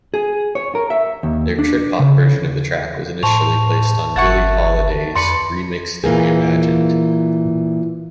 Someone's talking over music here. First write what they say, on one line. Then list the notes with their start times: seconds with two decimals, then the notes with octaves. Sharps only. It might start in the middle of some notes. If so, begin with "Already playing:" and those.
Their trip-hop version of the track was initially placed on"Billie Holidays: Remixed and Reimagined".
0.14 G#4
0.55 C#5
0.75 A#4
0.90 E5
1.23 D#2
1.59 D4
1.99 C#3
3.23 A2 C5 A5 C#6 F7
4.16 G1 E4 F#5 C#6 A6
5.16 F2 B4 D5 A#5 C6 C#7
6.04 A#2 E3 A#3 G#4